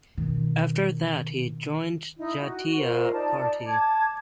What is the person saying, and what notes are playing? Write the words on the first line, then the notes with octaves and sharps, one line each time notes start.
After that he joined Jatiya Party.
B2 D#3
D#4 E4
F#4
F4 A#4 C5
D#4 D5 A5
A5 D6 G#6